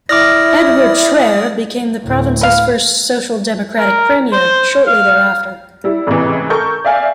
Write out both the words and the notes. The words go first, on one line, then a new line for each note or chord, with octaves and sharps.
Edward Schreyer became the province's first social democratic Premier shortly thereafter.
E4 D5 D6 D#6 F6 A#6
D2 A2
B4 F5
A#4
C5
F5
G3 E4
A1 G#2 C3 E3
A4 A#4 C#6 G6
D5 E5 F5 G#5